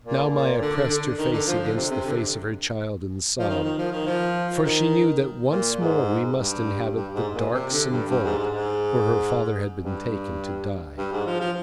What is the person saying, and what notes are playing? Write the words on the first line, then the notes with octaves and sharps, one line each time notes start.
Now Maya pressed her face against the face of her child and sobbed, for she knew that once more we must inhabit the darksome vault where her father had been taken to die.
A#2
A#2
D3
D3
D3
D#3
D3
F3
D3
C3
C3
D3
F3
D#3
D#3
F3
D#3
F3
D#3
A#2
G#2
G2
G2
G#2
A#2
C3
D3
G2
G2
G#2
G#2
G#2
G2
G2
G#2
F3
F3